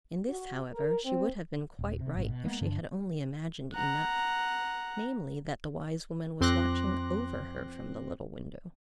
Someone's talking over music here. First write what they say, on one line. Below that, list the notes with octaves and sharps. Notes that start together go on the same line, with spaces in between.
In this, however, she would have been quite right, if she had only imagined enough--namely, that the wise woman was watching OVER her from the little window.
F#4
A#4
C4
D#1
C3
G#1 G#2 B2
B2
G#3 A#3 B3
G2 D3 D4
F#5 A#5
F2 C4 C6 D6 F#6 A#6